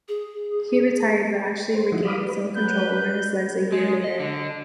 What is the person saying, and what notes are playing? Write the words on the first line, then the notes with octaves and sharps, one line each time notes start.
He retired, but actually regained some control over his legs a year later.
G#4
C5
F3 D#4 E4 F#4
F5 B5 D6 D#6
B4
F#3 B4 G6
G#3
D#5
D3